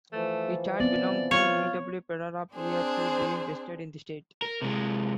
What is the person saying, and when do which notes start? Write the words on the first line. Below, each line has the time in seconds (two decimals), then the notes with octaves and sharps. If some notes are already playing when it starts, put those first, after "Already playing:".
It had belonged to E. W. Perera prior to being vested in the state.
0.13 E3 F3 A3
0.80 B3 C4 D5
1.31 F4 C#5
2.53 C4 D4 G#4 C5
4.42 A#4
4.62 C3 G#3